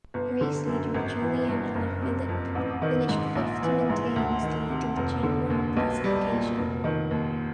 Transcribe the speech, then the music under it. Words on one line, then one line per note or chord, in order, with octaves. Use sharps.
Race leader Julian Alaphilippe finished fifth to maintain his lead in the general classification.
G1
D3
F#2
G#1
E3
G2
F#1
C3
F2
A1
D#3
G#2
A#1
E3
G#2
D2
D#3
C3
F1
D3
D#2
B1
G3
A#2
F1
D#3
D#2